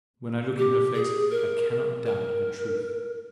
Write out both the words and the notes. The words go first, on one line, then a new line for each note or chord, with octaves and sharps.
When I look in her face, I cannot doubt her truth!
G4
G#4
A#4
A#4